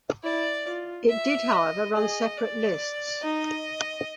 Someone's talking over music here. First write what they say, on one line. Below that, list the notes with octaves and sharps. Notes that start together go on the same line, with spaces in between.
It did however run separate lists.
E4 D5
F4
E5
D#5
G#4 D#5
D5
D#4 D#5